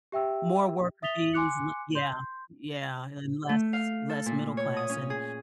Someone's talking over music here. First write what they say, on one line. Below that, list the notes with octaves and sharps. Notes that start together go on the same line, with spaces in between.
More worker bees, le yeah, yeah, and less less middle class, and
G4 E5 G5 E6
E5 D#6 A6 B6 F7 G7
G#5 C6 D6 F#6 C#7
C6 G6
A3
F5
A4
A#2
C#5
D#6
C#4
G#4